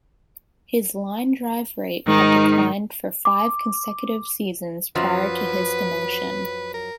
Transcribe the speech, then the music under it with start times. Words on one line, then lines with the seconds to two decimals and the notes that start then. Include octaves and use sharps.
His line-drive rate had declined for five consecutive seasons prior to his demotion.
2.07 G#2 D#3 D#4
3.25 D6
4.95 F#2 F3 F#3 B4
6.74 A#4